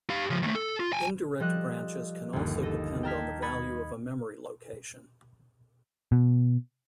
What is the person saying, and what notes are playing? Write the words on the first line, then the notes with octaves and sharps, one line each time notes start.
Indirect branches can also depend on the value of a memory location.
G4 F5
C#3 F3
D#2 A3
A4
F4
G5 G#5
F3 G3 A4 D#5 F#6
G1 D#2
A4 D#5
G5 A5 A#5 F6 G#6 B6
D#5 B5 G#6 A6 C#7
B2